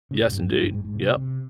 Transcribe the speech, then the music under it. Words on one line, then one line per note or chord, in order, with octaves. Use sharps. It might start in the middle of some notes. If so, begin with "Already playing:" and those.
Yes, indeed, yep.
C#3
A#2
G#2
G2
G2
G#2
G2
G#2
G#2
C3
C3